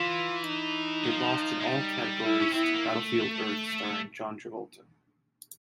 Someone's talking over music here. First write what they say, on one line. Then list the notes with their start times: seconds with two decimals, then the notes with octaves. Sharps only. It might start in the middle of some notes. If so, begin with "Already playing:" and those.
It lost in all categories to "Battlefield Earth" starring John Travolta.
Already playing: E3 F4
0.48 D#4
1.03 F#3
1.08 F3
1.61 G#3
1.67 G3
2.25 E4
2.40 C#4
2.51 C4 E4
2.63 B3
2.74 A#3
2.85 A3